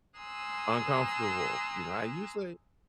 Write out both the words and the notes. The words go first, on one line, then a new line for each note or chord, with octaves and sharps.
uncomfortable. You know, I usually
G#5 A#5 C6 D#6 E6 F#6